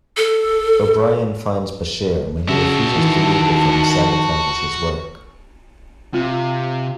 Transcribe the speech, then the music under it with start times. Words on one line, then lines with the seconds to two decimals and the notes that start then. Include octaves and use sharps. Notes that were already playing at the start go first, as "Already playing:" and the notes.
O'Brien finds Bashir, and when he refuses to leave with him, sabotages his work.
0.17 A4
2.49 C#3 F#4 E5 A5
2.95 D#3 E3
6.14 C3 F4